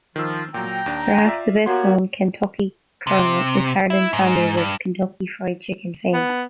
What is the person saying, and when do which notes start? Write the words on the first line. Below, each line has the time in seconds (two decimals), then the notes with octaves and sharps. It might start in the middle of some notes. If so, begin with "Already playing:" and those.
Perhaps the best known Kentucky colonel is Harland Sanders of "Kentucky Fried Chicken" fame.
0.16 D#3 F3 F4 E6
0.54 A#2 F#3 G5 A#5
0.86 D#2 D4
1.25 F4 D5 E5
1.66 A#3 B3 F#4 G4 C#5 C6
3.07 C3
3.90 E4
4.13 G#2
4.57 G2
6.13 B3